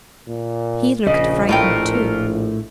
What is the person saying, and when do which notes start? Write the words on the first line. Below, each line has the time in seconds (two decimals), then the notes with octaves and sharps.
"He looked frightened too."
0.28 A#2
1.07 A#1 C#3 D#5
1.49 A2 A3 F4 A#4 G5